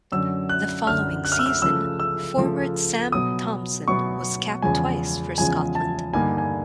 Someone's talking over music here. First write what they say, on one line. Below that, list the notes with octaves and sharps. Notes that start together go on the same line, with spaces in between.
The following season, forward Sam Thomson was capped twice for Scotland.
F#2 D3 F#3 E6
F#6
F#2 D3 F#3 F6
F#6
F6
E6
F6
C#3 F3 A3 E6
E6
C#3 F3 A3
B2 F#3 B3 D#6
B2 F#3 B3 C#6
E2 C#3 F3 G#3 G#5
E2 C#3 F3 G#3 G#5
A5
G2 D3 G3 A#3 D#4 G#5
G#5